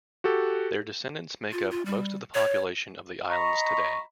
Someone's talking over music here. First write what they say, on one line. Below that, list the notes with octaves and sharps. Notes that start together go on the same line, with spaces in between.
Their descendants make up most of the population of the islands today.
F#4 G4 A4
F4
F4
G3
C#5
D#5 A#5 B5 C#6